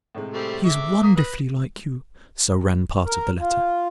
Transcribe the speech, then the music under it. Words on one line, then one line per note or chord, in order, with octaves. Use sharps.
"She is wonderfully like you," so ran part of the letter.
A2 C3 G#3
G3 A3 C4
E5 D6
A#3 D#6 B6
B4 D#6 A#6
A#4
F4